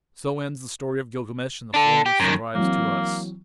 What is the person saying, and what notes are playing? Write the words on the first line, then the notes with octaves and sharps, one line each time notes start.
So ends the story of Gilgamesh in the form which survives to us.
D4 A4
G4
F#2 D#3
E3 F#3 A#3 C4